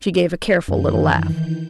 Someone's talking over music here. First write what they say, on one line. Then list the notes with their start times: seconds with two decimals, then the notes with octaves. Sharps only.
She gave a careful little laugh.
0.68 F#2 D#3 E3 G6